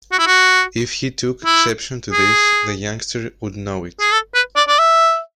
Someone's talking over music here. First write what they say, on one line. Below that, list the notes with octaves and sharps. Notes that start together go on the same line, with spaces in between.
If he took exception to this, the youngster would know it.
F#4
E4
F#4
E4
G#4
G#4
A4
B4
D5
D5
E5